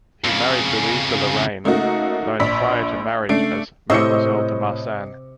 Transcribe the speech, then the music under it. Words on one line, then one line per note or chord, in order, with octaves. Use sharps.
He married Louise de Lorraine, known prior to marriage as "Mademoiselle de Marsan".
F2 C#3
C#3 A3 A#3 D#4 F#4
A#1 D5 B5 E6 B6
C#3 A3 D4 C7 D7
A2 C3 C5 D#5 C#6 D6 E6 C#7